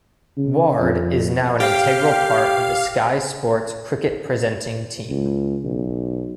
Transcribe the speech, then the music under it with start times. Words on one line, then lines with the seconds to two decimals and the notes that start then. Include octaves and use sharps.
Ward is now an integral part of the Sky Sports cricket presenting team.
0.37 C#3
0.79 F2
1.60 G4 F5
5.10 C#2
5.64 B1